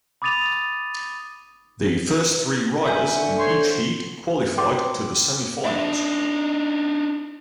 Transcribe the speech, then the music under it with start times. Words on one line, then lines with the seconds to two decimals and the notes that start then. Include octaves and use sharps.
The first three riders in each heat qualified to the semifinals.
0.22 B5 D6 D#6 A6 D#7 F7
2.85 E5 G#5 G6
3.15 D3 C#6
3.39 C5 C#5 C6
4.58 G5 C6 D6
5.65 D4 D#4 E5